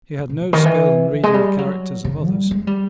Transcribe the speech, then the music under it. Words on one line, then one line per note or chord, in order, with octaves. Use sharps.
He had no skill in reading the characters of others.
A2
B2
A#2
D#3
E3
F3
G#3
G3
F#3
C#3
G3
G#3
G3